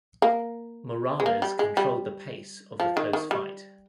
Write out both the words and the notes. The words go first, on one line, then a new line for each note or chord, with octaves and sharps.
Morales controlled the pace of the close fight.
A#3
G#3
A#3
G3
G#3
G3
F3
D#3
D#3
G3